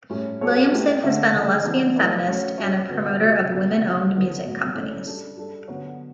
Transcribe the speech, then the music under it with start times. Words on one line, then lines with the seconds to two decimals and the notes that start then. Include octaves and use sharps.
Williamson has been a lesbian feminist and a promoter of women owned music companies.
0.10 A2 G3 C#4
0.41 G3 C#4 F#4 A4 C#5
0.71 A3 E4 G4 B4
1.03 D3 A3 D4 A4 E5
1.33 C#3 E3 A3
1.65 E3 G3 B3 D4
1.96 A3 E4 B4 D5
2.27 A3 C#4 F#4 C#5
2.57 G3 C#4 F#4 C#5 E5
2.89 D3 G3 B3 F#4 B4
3.20 C#3 F#3 A3 D4 G4
3.50 D3 F#3 B3 D4
3.82 C#3 F#3 C#4
4.13 D3 G3 B3 E4 B4
4.44 A2 F#3 B3
4.74 A3 C#4 E4 A4 D5
5.06 G3 D4 A4
5.37 G3 D4 A4
5.68 D3 F#3 B3 F#4 C#5